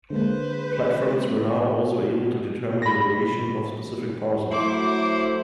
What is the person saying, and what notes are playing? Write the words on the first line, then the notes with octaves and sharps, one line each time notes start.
Platforms were now also able to determine the elevation of specific parcels.
D3 G#3 A#3 B4 C5
B5 A#6
F#3 A3 E4 C5 D6